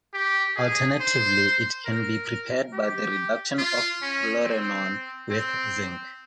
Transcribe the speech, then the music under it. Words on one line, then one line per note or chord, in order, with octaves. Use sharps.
Alternatively, it can be prepared by the reduction of fluorenone with zinc.
G4
G#4
C5
A#4
G4
F4
C#4
C4
C4